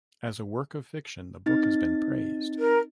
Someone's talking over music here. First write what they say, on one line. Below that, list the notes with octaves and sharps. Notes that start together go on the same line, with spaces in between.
As a work of fiction, the book has been praised.
C4 D#4 A6
A#4